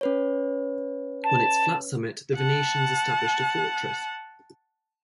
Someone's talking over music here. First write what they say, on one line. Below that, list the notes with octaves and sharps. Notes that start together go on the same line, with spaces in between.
On its flat summit the Venetians established a fortress.
C#4 B4 C#5
A5
F#5 A5